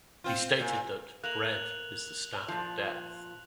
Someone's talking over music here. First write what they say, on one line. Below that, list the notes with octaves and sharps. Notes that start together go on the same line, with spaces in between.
He stated that "bread is the staff of death".
C4 F4
A#2
A#3 F#6 F7 F#7
A#2 F3